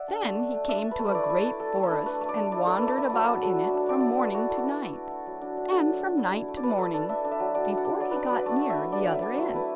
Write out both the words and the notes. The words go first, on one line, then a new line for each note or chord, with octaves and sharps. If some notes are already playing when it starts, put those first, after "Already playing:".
Then he came to a great forest and wandered about in it from morning to night and from night to morning before he got near the other end.
Already playing: D5 E5 F#5
D4
A3
D4
A3
D4 E5
D4
B4
A3
B4
E4 D5
E4
D5
A3
A3 A4
A3
A4
D4
A3 B4
A3
D5
A3
E4 D5
A3 A4
A3 B4
D5
A3 E5
F#3 F#5
E5
D4
F#3 F#5
D4
E5
D4
A3 D5
E4 D5
E5
A3 A4 B4
E4 F#4
E4 A4
F#4
E4
A3
A3
E4
F#3
D4
D4
D4 A4
F#3
D4
E4
E4
A3
D5
D4 B4
A3 A4
D4 A4
D4 E5
D4
E5
F#3
D4 D5
D4
F#5
D4
F#3 D5
D4 B4
D5
F#3
B4
A3 D5
A3
E5
A3
D4 D5
B4
F#3 D5
E5
D4
A3 E5
E4 B4